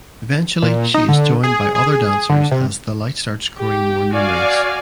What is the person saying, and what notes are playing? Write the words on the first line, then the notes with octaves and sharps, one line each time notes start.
Eventually she is joined by other dancers as the light starts growing more numerous.
A#2
D#4
D3
G#4
G#4
D3
C3
G4
F#4 D5 F5 G#5